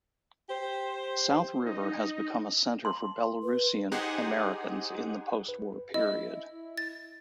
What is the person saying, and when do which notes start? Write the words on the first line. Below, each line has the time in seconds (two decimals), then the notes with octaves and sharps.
South River has become a center for Belarusian Americans in the postwar-period.
0.49 G4 C5
1.66 D#4
2.85 C6
3.43 B4
3.92 D#4 G4 G#4 C5 F#5
5.49 B4
5.94 E4 D#5
6.78 A6